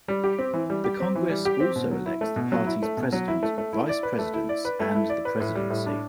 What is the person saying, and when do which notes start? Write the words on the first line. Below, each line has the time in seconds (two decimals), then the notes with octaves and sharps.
The Congress also elects the party's President, Vice Presidents and the "Presidency".
0.08 G3
0.24 G4
0.39 C4
0.54 E3
0.70 G3
0.84 G4
1.00 C4
1.15 E3
1.30 G3
1.45 G4
1.60 C4
1.76 B2
1.91 F#3
2.06 E4
2.21 A3
2.36 B2
2.52 F#3
2.67 E4
2.82 A3
2.97 B2
3.12 F#3
3.28 E4
3.43 A3
3.58 A3
3.73 E4
3.89 D5
4.03 B4
4.19 A3
4.34 E4
4.49 D5
4.65 B4
4.80 A3
4.95 E4
5.10 D5
5.25 B4
5.40 A2
5.55 G3
5.70 A2
5.86 D4